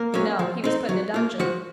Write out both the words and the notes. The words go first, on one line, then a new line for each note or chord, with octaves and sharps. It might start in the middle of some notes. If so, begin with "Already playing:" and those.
"No; he was put in a dungeon."
Already playing: A#3 A#4
F#3 C#4
F3
C4 D#4
F#3
A#3 F4
F3 F#4 F#5